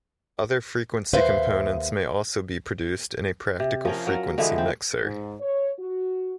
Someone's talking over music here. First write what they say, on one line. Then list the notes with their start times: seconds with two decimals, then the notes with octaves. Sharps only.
Other frequency components may also be produced in a practical frequency mixer.
1.13 D#2 B4 C5 E5 F5
3.60 C3
3.85 F3 C#4 A#4
4.07 F#3 A#4
4.38 D3 E3 F3 G#3
4.58 C4
5.01 G#2
5.40 C#5
5.79 F#4